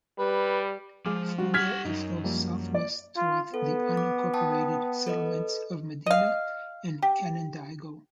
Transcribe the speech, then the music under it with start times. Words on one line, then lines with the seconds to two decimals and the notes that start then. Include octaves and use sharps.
From there it flows southwest toward the unincorporated settlements of Medina and Canandaigua.
0.19 G3 B4
1.05 F3 G#3 G#4 D6 F6
1.38 G3 F#4
1.54 G4 F#5 F6 G#6 B6
1.85 F#2 D#4
2.24 F3 G3 A#3
2.75 D5
3.16 F4
3.54 B3 A4
3.97 D6
4.34 G5 A5 D#6
5.07 A4 B4 D#5
6.06 D#5 F5
7.02 G4